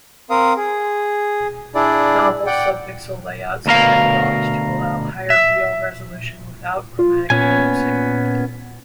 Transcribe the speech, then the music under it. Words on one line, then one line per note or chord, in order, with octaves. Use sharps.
Novel subpixel layouts have been developed to allow higher real resolution without chromatic aliasing.
C4 A#4 F5 D#6
G#4
D4 E4 G#4 D5
D5 F#5 G5
D2 B2 A#4 F5
E5
F4
A#2 B3 C#4 G#5